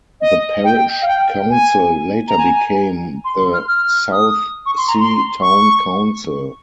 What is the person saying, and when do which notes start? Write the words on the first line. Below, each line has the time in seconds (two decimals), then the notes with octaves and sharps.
The Parish Council later became the Southsea Town Council.
0.21 D#5
0.64 G5
1.02 F5
1.08 G5
1.50 G#5
2.28 A#5
2.38 G#5
3.25 C6
3.39 C6
3.53 F6
3.68 F6
4.12 D#6
4.66 C#6
4.77 C6
4.88 A#5
4.99 C6
5.41 C#6